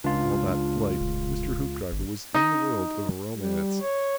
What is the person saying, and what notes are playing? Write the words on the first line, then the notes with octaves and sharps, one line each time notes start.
For all that flight Mr. Hoopdriver was in the world of Romance.
C#2 D4 F4
D#1
G#1
D#4 D#5
G3
C#5